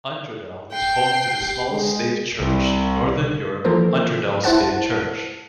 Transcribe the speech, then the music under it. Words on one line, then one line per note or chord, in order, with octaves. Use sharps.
Undredal is home to the smallest stave church in Northern Europe, Undredal Stave Church.
G5 C7
G4
G#3
C2
E3 F3 A#3 A4 A#4 C5
E4 C5 F#5 A5